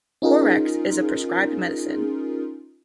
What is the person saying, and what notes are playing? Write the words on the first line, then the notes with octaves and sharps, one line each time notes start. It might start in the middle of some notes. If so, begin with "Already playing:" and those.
Corex is a prescribed medicine.
C#4 D#4 F4 G#4 A#4